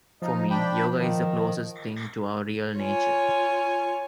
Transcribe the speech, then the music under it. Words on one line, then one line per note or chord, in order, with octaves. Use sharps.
For me, yoga is the closest thing to our real nature.
F3 D#4
D4 G5 B5
D#3
F4 C#5 G#5